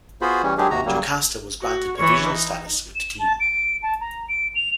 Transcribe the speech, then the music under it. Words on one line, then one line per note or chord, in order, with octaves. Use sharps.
Jocasta was granted provisional status with the team.
B3 F4 F#4 G#4 C5 B5
E3 G3 C#4
D#3 F#3 G#3 D4 G4 G#4
D#2 C3 F#4 A#5
C#3 F#3 G3 A#3
F#4
E3 C#5
D#4
E7
A5
D7
A5
A#5
D7
F7